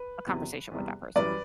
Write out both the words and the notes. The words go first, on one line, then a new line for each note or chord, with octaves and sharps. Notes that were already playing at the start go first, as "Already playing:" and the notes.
a conversation with that person.
Already playing: B4
E2 C3 F#3
E2 C3 G3
F#2 E3 G3 B4 D5